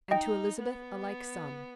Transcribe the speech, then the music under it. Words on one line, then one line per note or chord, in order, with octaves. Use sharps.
"And to Elizabeth a like sum."
D#4 D#5 G5
B3